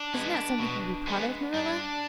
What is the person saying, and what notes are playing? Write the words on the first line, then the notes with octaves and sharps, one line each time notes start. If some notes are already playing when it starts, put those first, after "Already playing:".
Isn't that something to be proud of, Marilla?
Already playing: D4
G#3 B3
B2
G#3 B3
G2 D4